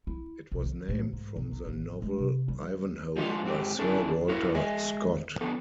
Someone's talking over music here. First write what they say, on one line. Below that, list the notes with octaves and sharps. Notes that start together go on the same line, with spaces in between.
It was named from the novel "Ivanhoe" by Sir Walter Scott.
E4
C2
D#3
A2
G#2
B1
D#4
A1
G#3
C3
G3
F3 G#3 D4 D#4 F4
G#2 C4 G4
C#4 D4 E4 G#4 A4
E4 F#4 A#4 C#5
G#3 G#4 D#5 E5
F2 D3 B3 A4